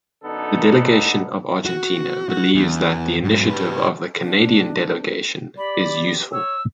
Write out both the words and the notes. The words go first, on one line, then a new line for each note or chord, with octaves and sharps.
The delegation of Argentina believes that the initiative of the Canadian delegation is useful.
F#2 D3 B3 D#4 A4
F#4
F#4
E2
G#2 F#3
G4 B4
D4
G4 D5 B5
C#5 E6